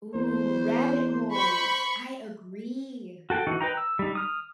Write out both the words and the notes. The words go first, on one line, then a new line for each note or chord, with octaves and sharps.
Ooh, rabbit holes, I agree,
E2 C5
C5 B5 C#6
F#4 A4 G5
E3 D#4 F#4
B4 D#5 G5 A#5
E6
G3 D#4
D#6 F6